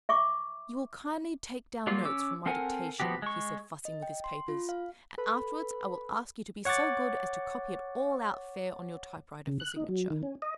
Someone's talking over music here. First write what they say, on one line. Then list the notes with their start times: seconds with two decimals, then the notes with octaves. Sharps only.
'You will kindly take down notes from my dictation,' he said, fussing with his papers; 'and afterwards, I will ask you to be so good as to copy it all out fair on your typewriter for signature.'
0.09 E5 C#6 D6
1.87 F#3 G3 A#3 F4
2.05 C#4 D6 E6
2.46 C4 A4 A#4 F#5 G#5
3.00 F3 B3 F#4 G4
3.22 G#3 C#6
3.85 D#5
4.02 G5
4.24 C6
4.48 F4
4.69 F5
5.18 A4 B4 B5
6.65 C#5 F#5 C#6 D6 A6
9.47 C#3
9.60 F#6
9.76 D#4
9.89 F#3
10.10 D#3
10.23 C#4
10.42 D#5